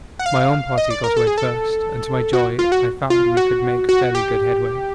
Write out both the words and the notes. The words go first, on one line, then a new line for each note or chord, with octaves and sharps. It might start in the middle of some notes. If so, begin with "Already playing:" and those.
My own party got away first, and, to my joy, I found we could make fairly good headway.
F#5
F5
D#5
D5
A#4
A4
G#4
A4
F#4
F4
F#4
F4
F#4
F#4
G4